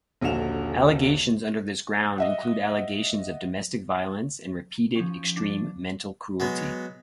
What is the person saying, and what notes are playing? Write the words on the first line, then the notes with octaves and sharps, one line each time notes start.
Allegations under this ground include allegations of domestic violence and repeated, extreme mental cruelty.
D#1 A#1 D3 F#4 E7 F7
D#5 E5 F#5
F3 C#4
D4
F#3 G#3 B3